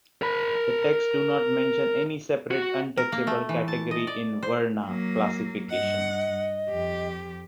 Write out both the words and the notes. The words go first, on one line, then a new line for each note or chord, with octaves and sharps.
The texts do not mention any separate, untouchable category in "varna" classification.
A#4 B5
F#4
A#4
A#3
A3
E3
A5
D#5
D5
C5
F#3 A#3
G2 D#5 F#5
F2 G4